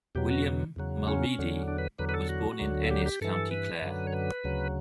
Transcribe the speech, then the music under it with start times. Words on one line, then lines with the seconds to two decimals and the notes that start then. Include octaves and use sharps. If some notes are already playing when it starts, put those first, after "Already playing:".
William Mulready was born in Ennis, County Clare.
0.15 E2 B2 F#3 G4
0.31 F#4
0.76 E2 C#3 F#3
1.08 C#4
1.38 E2 D3 F#3
1.68 D4
1.78 B4
1.99 E2 D3 F#3 B4
2.09 B4
2.14 A4
2.29 F#4
2.59 D2 D3 F#3
2.83 A4
2.90 G4
3.06 G4
3.21 G2 E3 A4
3.51 B4
3.82 F#2 D3 F#3
4.07 C#5
4.13 B4
4.44 D2 C#3 F#3